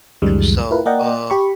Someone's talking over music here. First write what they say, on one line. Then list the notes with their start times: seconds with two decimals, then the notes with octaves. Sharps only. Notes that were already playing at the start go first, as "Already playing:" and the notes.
So, uh,
0.22 C#2 F#2 D#3 F3 G3 G#3
0.71 E4 F4 A#4 B4
0.86 A#3 A#4 D5 D#5 F#5 G5
1.30 G4 B5 C#6